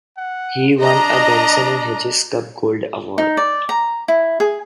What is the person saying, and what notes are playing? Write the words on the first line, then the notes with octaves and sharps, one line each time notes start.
He won a Benson and Hedges Cup Gold Award.
F#5
D4 D#5 A#5
D#4
D5
A#5
E4
G#4